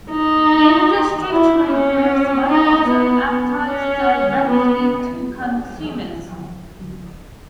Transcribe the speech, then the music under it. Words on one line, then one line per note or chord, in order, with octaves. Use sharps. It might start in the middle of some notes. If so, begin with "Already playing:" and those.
Industry trade groups might also advertise directly to consumers.
D#4
E4
C#4
D#4
B3
B3
C#4
B3